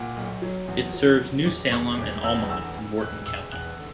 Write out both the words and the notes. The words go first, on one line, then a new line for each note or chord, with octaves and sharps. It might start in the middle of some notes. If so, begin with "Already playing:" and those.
It serves New Salem and Almont in Morton County.
Already playing: A#2 F#5
B1
F#3
E2
F#3
F#3
E1 D6
E1 C#6
E1 D6
E2 E6
D2 E6
D2
E1 F#6
E1 E6
E2 F#6
D3